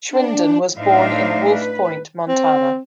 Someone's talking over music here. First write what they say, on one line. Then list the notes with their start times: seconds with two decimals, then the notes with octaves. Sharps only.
Schwinden was born in Wolf Point, Montana.
0.10 D4
0.77 A2 D4 D#4 C5 E5 F5
1.48 B4
2.28 C4